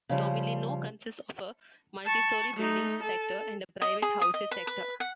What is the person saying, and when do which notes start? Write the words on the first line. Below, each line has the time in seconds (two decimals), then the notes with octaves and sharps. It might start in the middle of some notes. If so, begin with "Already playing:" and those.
Tomilino consists of a multistory buildings sector and a private houses sector.
0.09 C#3 F3 G3
2.05 A5 C#6
2.56 A3 D#4
3.03 A4 A5
3.82 D#5
4.02 G#4
4.21 D#6
4.34 D#5
4.51 B4
4.67 B4
5.00 F#5